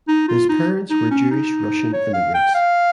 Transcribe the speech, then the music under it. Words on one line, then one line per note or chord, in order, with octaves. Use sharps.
His parents were Jewish Russian immigrants.
D#4
F4
D#4
D#4
C#4
D#4
C#5
F5
G5
F5